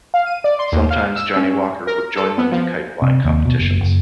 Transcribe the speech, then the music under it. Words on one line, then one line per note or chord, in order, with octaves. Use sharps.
Sometimes Johnny Walker would join them in kite-flying competitions.
F5
D#7
D5
C6
D#2
F5
E6
C#4
A#4
A4
B3
F3
C3
D#2
B2
F#1
F#1